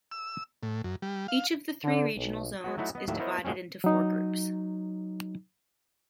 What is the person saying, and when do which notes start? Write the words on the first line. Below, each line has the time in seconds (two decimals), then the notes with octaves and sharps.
Each of the three regional zones is divided into four groups.
0.11 E6
0.63 A2
0.84 F#2
1.02 G3
1.28 F5
1.84 D3
2.16 B1
2.64 G#3 B3 F#4
2.77 F#3 A3 D#4 E4 F#4
2.95 B3 D#5
3.08 D#2 A2 F#3 E5
3.19 B3 E4 A#4 C5 C#5 D#5
3.45 A#2 D3 G#3 C4 C#4
3.84 F#3 D#4